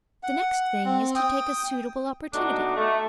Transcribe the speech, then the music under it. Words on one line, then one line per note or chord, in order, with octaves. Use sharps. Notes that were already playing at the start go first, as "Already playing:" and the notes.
The next thing is to take a suitable opportunity.
F#5
C4
G5 D#6
B2 A3 D4 D#4 F#4
A3